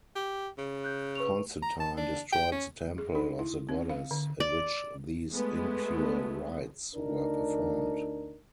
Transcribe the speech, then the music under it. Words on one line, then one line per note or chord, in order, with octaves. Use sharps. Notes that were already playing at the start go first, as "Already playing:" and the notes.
Constantine destroyed the temple of the goddess in which these impure rites were performed.
G4
C#3
F#6 G6
B4 C#6 F7
A#5
A5
D4
G5
C#4
G#4
D#4
E4
C4
F5
D3
D5
G#3 A3 B3
D2 D4 D#4 A#4